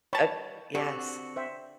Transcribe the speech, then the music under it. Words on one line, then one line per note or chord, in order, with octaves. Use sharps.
Uh Yes.
G3 C#5 A5 B5 C#6
D3 C4 F#4 G4 A4 D5
C5 E5 G5